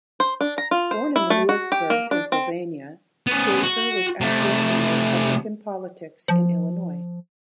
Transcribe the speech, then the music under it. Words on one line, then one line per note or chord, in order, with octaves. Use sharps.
Born in Lewisburg, Pennsylvania, Shaffer was active in Republican politics in Illinois.
C5
D4
A#5
F4
C5
E4
A3
F#4
G4
A#3
D4
C4
B3 C#4
F#4
C3 A3
F3